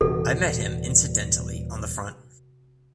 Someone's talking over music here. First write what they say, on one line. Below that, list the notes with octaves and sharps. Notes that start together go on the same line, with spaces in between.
I met him incidentally on the front.
D#1 C3 E3 F#4 A4